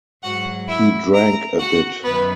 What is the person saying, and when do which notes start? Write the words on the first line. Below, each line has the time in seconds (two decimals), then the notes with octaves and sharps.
He drank a bit.
0.23 G#2 F#3 F#4 F#5
0.68 E4 E5
1.13 A#4 A#5
1.59 F#4 F#5
2.03 F#2 D#3 F#3 B3 B4